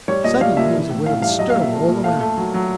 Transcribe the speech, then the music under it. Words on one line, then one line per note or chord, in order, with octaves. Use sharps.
Suddenly he was aware of a stir all around.
G3 C#5
A#2 D#5
G3 F5
A#2 E5
E3
A2
A2 F5
G3 F5
F#3 D#5
F5
A#2
E5
A3
A#2
A3 F5
A3
F#3
F#3